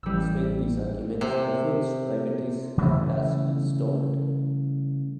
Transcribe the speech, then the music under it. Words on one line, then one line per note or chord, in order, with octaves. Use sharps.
Despite these arguments, efforts to privatize have largely stalled.
A1 G3 E6
C3
C#3 E3 G3 A3